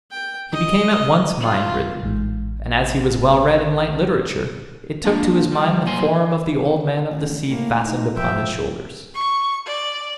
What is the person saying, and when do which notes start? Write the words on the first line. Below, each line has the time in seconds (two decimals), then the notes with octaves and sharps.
He became at once mine-ridden, and as he was well read in light literature it took to his mind the form of the Old Man of the Sea fastened upon his shoulders.
0.11 G5
0.52 D#5
1.40 F4
2.03 A1 G#2
5.04 A#3 D4 F4
5.52 G3
5.85 D#2 A#2 F#3 C5 G#5 C6
7.10 A1
7.50 A2 A#3
7.85 D#4
8.16 F3 E5 G5
9.14 C#6
9.66 D5